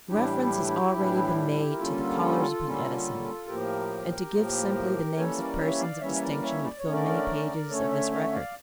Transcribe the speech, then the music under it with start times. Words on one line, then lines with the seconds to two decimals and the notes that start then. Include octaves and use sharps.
Reference has already been made to the callers upon Edison; and to give simply the names of persons of distinction would fill many pages of this record.
0.09 A2 E3 G3 D4 E4 G4
0.94 A2 E3 G3 D4
1.71 A#4
1.78 D3 G3 A#3 C#4 F4 A4
2.63 D3 G3 A#3 C#4
3.47 A2 F3 A#3 G4 A#4
4.32 A2 F3 A#3
5.16 E3 G3 A#3 C#4 A4 C#5
5.37 A#4 D5
5.58 C#5 E5
5.79 D5 F5
6.00 E3 G3 A#3 C#4 C#5 E5
6.15 E5
6.22 A#4 D5
6.43 C#5 E5
6.64 D5
6.78 C#5
6.85 D3 A3 C#4
6.92 A#4 D5
7.69 D3 A3 C#4 A4 C#5
7.90 C#5 E5
8.11 C#5 E5
8.32 D5 F5